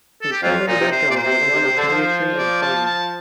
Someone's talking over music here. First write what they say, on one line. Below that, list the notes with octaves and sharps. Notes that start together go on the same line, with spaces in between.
His family background was one of military and farming.
A4
G4
F2 F4
A#2 D#4
C3
C3 C5
A#2 D5
C5
C3
D3
C3
C3
D3
F3
D5
A5
A5